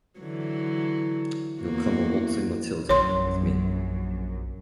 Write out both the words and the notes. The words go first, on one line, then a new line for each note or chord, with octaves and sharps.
You'll come a-waltzing Matilda, with me.
D3 E3 F#3
E2 A#3 F#4
A#1 F#2 C#5 C6